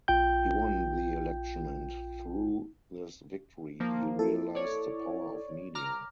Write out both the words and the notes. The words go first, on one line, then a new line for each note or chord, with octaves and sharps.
He won the election and through this victory he realized the power of media.
A#1 F4 G5 G6
F3 A#3
E4 A4
C#5 D5
A#5 D6 F6